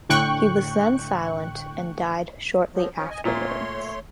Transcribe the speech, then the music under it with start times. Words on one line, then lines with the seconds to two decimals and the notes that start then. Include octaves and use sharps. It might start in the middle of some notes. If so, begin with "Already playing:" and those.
He was then silent and died shortly afterwards.
0.09 A2 D3 G5 C#6 F#6
2.73 F3 F#3
2.95 F3 C#4
3.10 D#5 G#5
3.25 A#2 A3 C#5 C6